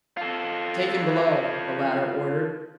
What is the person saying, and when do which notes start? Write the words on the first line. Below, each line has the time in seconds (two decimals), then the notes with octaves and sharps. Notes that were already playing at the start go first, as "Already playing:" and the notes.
"Take him below!" the latter ordered.
0.17 F4 A4